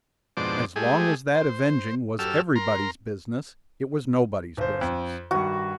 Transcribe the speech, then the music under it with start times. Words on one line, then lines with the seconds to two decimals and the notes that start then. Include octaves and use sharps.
As long as that avenging was everybody's business it was nobody's business.
0.37 F2 G#2 B2 D4 C5 D6
0.76 G#3 A3 G4 G#4
1.34 C5
2.19 F#2 G4 A4 E6 F6
2.55 A#4 A#5 C6
4.57 G1 C5
4.81 F2
5.31 G2 D#3 F#4